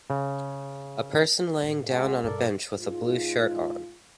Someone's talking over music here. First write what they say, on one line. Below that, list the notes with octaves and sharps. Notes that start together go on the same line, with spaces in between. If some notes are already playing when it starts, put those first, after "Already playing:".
A person laying down on a bench with a blue shirt on.
C#3
A1
G#3 C#4 F#4
B1 B3
G2 B2 A4 A#4 D5
G#2 F4